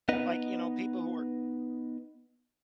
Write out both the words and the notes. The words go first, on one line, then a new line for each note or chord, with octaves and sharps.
like, you know, people who are
B3 D#4 B4 D#5